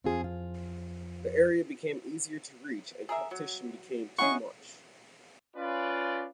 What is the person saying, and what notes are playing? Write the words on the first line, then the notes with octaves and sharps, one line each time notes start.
The area became easier to reach and competition became too much.
F2 F3 C4 F4 G#4
F4
G#4 A#4 E5
F#3
C#4 E4 G#4 D#5 F#5 C#6
C#4 F4 B4 D5